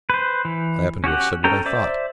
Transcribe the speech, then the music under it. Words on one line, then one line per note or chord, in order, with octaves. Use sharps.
I happen to have said what I thought.
B4 C5
E3
C#4 F#4 G4 F#5
C#4 A4 G5 A#5
C5 D5 E5 D6